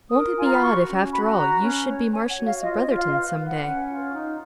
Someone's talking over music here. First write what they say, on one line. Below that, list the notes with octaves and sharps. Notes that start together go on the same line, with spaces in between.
Won't it be odd, if after all, you should be Marchioness of Brotherton some day?
A#4 D#6
F4 G#5
A#5
B5
F#4 C#6
C#4
F#4 B5
B4 A#5
C#4
C#5
C#5 G#5
F#5
F#4
F5
F4 D#5
C#5
D#5
F4
F5
D#5
B4 F5
F5
B4
F#5
C#4
F4
D#4